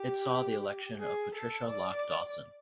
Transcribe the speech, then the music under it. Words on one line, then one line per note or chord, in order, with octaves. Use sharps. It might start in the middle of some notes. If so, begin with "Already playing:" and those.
It saw the election of Patricia Lock Dawson.
Already playing: G4
G#4
A4
D5